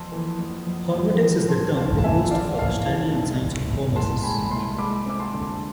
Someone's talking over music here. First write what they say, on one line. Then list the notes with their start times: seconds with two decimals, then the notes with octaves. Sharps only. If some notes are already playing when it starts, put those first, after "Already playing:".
Hormetics is the term proposed for the study and science of hormesis.
Already playing: F2 A5 C6
0.12 E3
0.39 F2
0.67 F2
0.94 F2
1.21 E3
1.48 C4 A5 C6
1.76 A2 F5 A5
1.98 A5
2.04 E3 E5 G#5
2.31 C4 D5 F5
2.59 A2 F5 A5
2.86 E3 F5 A5
3.13 C2
3.41 C2
3.68 C2
3.96 C2 A5 C6
4.23 G#3 G#5 B5
4.45 B5
4.51 C2 A5 C6
4.78 G#3 B5 D6
5.06 C4 D6
5.20 A5 C6
5.33 D3